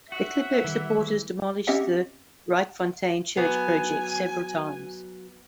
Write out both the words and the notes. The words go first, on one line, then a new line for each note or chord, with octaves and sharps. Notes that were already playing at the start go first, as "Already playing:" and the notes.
The Klipkerk supporters demolished the Rietfontein Church project several times.
F#4 E5 F#5
D#3 E3 G3
C4 C#4 G4 D#5 E5 F#5
F#3 B3 G#5